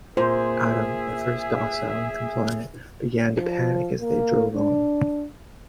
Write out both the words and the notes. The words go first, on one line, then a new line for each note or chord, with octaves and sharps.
Adam, at first docile and compliant, began to panic as they drove on.
A#2 G#4 C5 E5
F3
A#3
D4